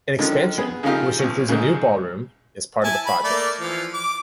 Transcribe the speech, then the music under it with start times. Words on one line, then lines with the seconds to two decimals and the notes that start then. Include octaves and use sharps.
An expansion, which includes a new ballroom, is part of the project.
0.19 D3 D#3 F3 G#3
0.58 B3 G#4
0.83 C#3 F3 A3 D#4 F4 G4
1.19 B1 F3
1.48 A#1 G#2 C#3
2.84 E4 G#5 A5
3.06 B5
3.24 A3 A#3 D5
3.58 E3 F3
3.94 D6